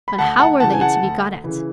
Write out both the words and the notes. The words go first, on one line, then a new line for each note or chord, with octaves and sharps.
But how were they to be got at?
B5
D2 F#5 A5
F#5 A5
C#3 E3 F#5 A5
G#5
F#5 A5
D2
C#3 E3